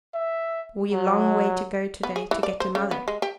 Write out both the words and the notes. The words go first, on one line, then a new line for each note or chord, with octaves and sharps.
"We long way to go to-day to get to Mother."
E5
F#3
B3
G#4
E3
D5
C5
C#3
B3
G#3
G4